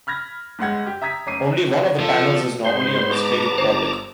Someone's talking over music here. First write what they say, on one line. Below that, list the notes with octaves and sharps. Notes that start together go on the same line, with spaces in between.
Only one of the panels is normally on display to the public.
B5 F6 G#6 A#6
G1 G#3 F#5 G#6
G4
E5 A#5 D#6 G#6 B6
F1 C#4 A#5 D6 C7 D#7
F3 A4
G#2 B3 C5 C6
A5 A#5 D6
G1 C5